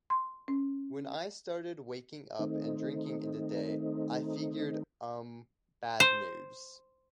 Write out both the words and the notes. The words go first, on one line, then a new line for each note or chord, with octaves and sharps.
When I started waking up and drinking in the day, I figured-umm, bad news.
C6
C#4
D#3 A3 C4 D#4
C5